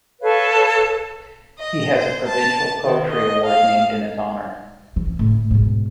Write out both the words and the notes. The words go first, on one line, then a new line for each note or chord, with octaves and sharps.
He has a provincial poetry award named in his honour.
A4 B4 C#5 F5
D#5
C5
A5
D#3
D#5
F5
E3
A2 D3
G#2 B2